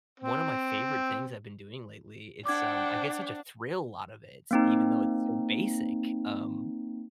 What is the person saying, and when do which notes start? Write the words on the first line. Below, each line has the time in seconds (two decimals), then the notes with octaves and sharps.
one of my favorite things I've been doing lately. It's, um, I get such a thrill out of it even though it's so basic, um
0.20 C4
2.46 D4 C5 F#5 G5 D6 G#6
4.51 A#3 C4 D#4